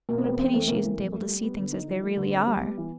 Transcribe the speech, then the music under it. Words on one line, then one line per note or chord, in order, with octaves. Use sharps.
What a pity she isn't able to see things as they really are!
B2 A#3
C4
G#3 B3
E2 C4
E2 A3
C#3 A#3
E3
F2
A3
G3
B3
D3
D#4
F3
A3
D3
C4
G3
B3
E3